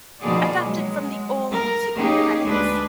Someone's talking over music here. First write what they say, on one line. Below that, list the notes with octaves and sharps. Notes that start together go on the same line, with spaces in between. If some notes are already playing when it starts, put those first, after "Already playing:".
Adapted from the AllMusic credits.
B2 D#3 F3 A#3 G#4 D5
F#3 G#3
A#4
A#3 C#4 D#4 G4 G#4
D2 G#3 D4 G#4 B4